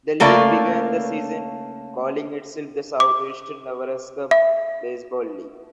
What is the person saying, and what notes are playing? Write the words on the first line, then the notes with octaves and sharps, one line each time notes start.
The league began the season calling itself the Southwestern Nebraska Baseball League.
C#3 A3 A#3 A#4 D5
D6
E5